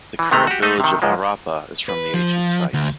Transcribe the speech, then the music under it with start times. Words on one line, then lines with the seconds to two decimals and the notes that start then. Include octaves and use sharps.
The current village of Harappa is from the ancient site.
0.19 E3
0.31 C3 D#3 G#3 A3 A#5
0.47 F#4 G4
0.62 A3 D#4 A4 D#5
0.80 C3 D#3
1.02 C#2 G#2 F3 G#3
1.89 B4
2.14 F3
2.74 D2